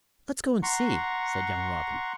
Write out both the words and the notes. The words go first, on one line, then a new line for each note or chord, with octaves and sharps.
"Let's go and see," said young Robin.
F#5 A#5 C6 C#6